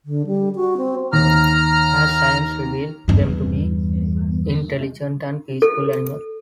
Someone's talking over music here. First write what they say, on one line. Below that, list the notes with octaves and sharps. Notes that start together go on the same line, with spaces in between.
As science revealed them to be intelligent and peaceful animals.
D3
G3
F#4
C4
D#2 A#5 F6
E2 G2
A4